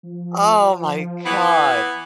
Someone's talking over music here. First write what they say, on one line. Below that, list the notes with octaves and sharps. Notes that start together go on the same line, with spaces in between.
Oh, my god,
F3
E3 B3